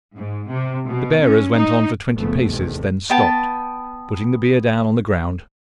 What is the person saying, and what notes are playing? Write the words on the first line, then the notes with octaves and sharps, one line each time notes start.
The bearers went on for twenty paces, then stopped, putting the bier down on the ground.
G#2
C3
B2
C#4
D#4
F#1 F#2 C#3 F3 A3 B3
A1 E2 A2 C3 D#3 A3
B3 G5 A5